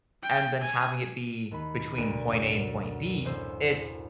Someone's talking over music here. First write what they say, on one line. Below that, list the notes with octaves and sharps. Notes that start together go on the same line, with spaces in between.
And then having it be between point A and point B, it's,
G5
G#5
D#2 B5
D2 B2 A#4 D7
F#2
A1 C5 E6